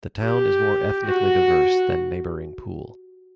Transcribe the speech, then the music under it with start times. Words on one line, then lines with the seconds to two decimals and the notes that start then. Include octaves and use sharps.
The town is more ethnically diverse than neighbouring Poole.
0.23 G4
1.06 F#4